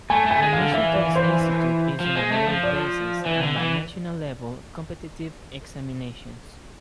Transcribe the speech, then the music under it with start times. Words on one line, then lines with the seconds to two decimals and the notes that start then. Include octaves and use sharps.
Admission to this institute is on a merit basis and by national-level competitive examinations.
0.10 A3 G#5
0.26 A3 G#5
0.42 G#3
0.53 F5
0.58 D3
0.74 E3 E5
0.94 D5
1.16 C5
2.00 F3
2.16 G#3
2.32 A3
2.47 F3
2.64 D5
3.26 E3
3.43 D3
3.58 E3